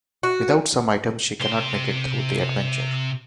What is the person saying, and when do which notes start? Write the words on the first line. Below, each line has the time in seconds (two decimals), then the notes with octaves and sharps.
Without some items, she cannot make it through the adventure.
0.23 F#4
1.40 C3 C6